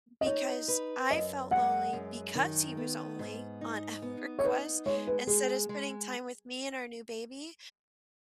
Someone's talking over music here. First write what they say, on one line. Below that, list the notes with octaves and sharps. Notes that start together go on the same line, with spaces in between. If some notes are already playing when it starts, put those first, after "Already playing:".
because I felt lonely because he was only on EverQuest instead of spending time with me and our new baby,
D#5
D#4 C#5
B4
F#2 D#5
G#3 F#5
F#2
D#3
B3
G#2
D#4
B3
C#5
D#4 B4
G#3 C#5
B4
G#3 G#4
G#3